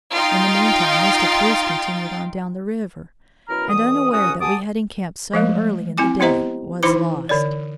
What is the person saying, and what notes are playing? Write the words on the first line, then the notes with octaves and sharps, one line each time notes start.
In the meantime Mr. Preuss continued on down the river, and unaware that we had encamped so early in the day, was lost.
D#4 F4 F5 G5 A6
F#2 B2 E4 A#4 A#5 F6
B2 D3 E3 D#6
C2 A#2 C#4 F#4 D#6
G4 F#5 G#5 A5 D6 D#6
F3 G#3 A3
C4 E4 G#5 D6
B3 E4 G4 C5 D#5 A#5
E3 D#4 E4 C5 B5 D6
D3 C#5 D5